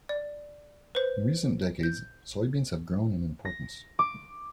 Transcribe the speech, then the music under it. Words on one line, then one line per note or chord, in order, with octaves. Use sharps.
In recent decades soybeans have grown in importance.
D5
B4 C5
G6
A#6
D6